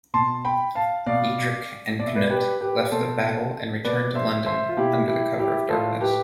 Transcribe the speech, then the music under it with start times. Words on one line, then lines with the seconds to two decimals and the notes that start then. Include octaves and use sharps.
Eadric and Cnut left the battle and returned to London under cover of darkness.
0.14 B2 A5 C6
0.45 G5 B5
0.75 F5 A5
1.06 B2 D5 F5
1.99 B2 D5
2.07 E5
2.15 B4 D5
2.30 G4 B4
2.61 G4 B4
2.92 B2 A4 C5
3.85 B2 B4 D5
4.15 C5 E5
4.46 C5 E5
4.69 F4
4.77 B2 E4 G4
5.08 E4 G4
5.39 E4 G4
5.70 A2 F4 A4
6.01 G4 B4